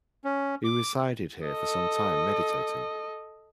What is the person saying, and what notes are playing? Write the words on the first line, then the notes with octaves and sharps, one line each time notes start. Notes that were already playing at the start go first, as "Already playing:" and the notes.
He resided here for some time meditating.
C#4
D6
A4 D#5